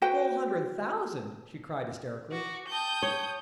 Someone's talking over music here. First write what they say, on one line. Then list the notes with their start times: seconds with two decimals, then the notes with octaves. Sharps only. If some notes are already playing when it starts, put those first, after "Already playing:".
"Full hundred thousand?" she cried, hysterically.
0.02 F#4 B4 C5 G5
2.32 F#4 D6
2.68 G5 A5 D#6 G6
3.03 C#5